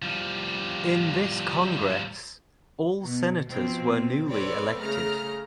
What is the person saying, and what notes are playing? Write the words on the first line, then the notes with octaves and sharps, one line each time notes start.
In this Congress, all Senators were newly elected.
F3 G3
B2
B2 F3 C4
C4 A4 B4 C#5 D5
C#3 A3 A#5 F6